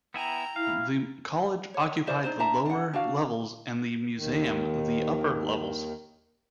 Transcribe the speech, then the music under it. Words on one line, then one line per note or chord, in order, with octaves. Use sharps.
The college occupied the lower levels and the museum the upper levels.
B3 E4 G5 G#5 A#5
E4 F5
C#5
E4 A#4 C5 D5
D4 D#4 C5
D4 E5 A5 A#5
D4 F#5
D4 F#4 F5
D#2 D#3